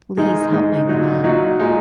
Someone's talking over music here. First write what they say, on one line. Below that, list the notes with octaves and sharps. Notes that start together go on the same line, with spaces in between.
"Please help my mom,
G#2 D#3 G#3 D#4
G#2 D#3 G#3 D#4
A#2 F#3 D#4 F#4
A#2 F#3 D#4 F#4
A#2 G#3 D#4